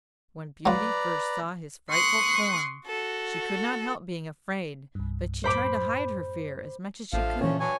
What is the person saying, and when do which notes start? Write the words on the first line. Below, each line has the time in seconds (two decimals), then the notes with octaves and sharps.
When Beauty first saw his frightful form, she could not help being afraid; but she tried to hide her fear as much as she could.
0.66 F#3 F4 B4 D5 A#5
1.89 C6 C#6 D#6 F#6
2.86 F#4 A4
4.95 C2 G2
5.44 F#2 A2 C5 B5 D6
7.13 A1 D3 F3 A3 F5
7.41 A#2 E3 C#4
7.60 G2 F#3 C#5 G#5